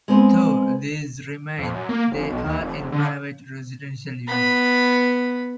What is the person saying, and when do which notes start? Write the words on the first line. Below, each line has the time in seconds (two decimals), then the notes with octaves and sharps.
Though these remain, they are in private residential use.
0.08 G#3 B3 C4 B4
1.58 F2
1.74 F#2
1.89 A#3
2.12 F1
2.29 B1
2.44 D#2
2.59 F1
2.79 F1
2.92 D3
4.27 B3 B5